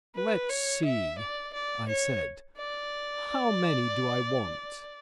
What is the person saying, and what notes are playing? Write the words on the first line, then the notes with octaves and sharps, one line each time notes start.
"Let's see," I said, "how many do I want?"
B4
C#5
E5
D5
D5
C#5
D5